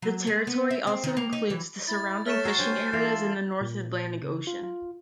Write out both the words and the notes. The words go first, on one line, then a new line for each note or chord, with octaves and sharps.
The territory also include the surrounding fishing areas in the North Atlantic Ocean.
F#3
G#3
B3
E5
C4
D#3
A#3
D#4
E3
E4 A6
A3 C#5 E5 F6 A6 E7
F#4 G#4 A4 A#5 A6 C7
D3 G3 C5 G#5
E3 F4 A4 D5 F5
A#2
C#3
F4
F4